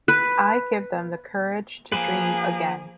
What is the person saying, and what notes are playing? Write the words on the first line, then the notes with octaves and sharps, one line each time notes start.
I give them the courage to dream again.
B4
F3 A#3 G#4 B4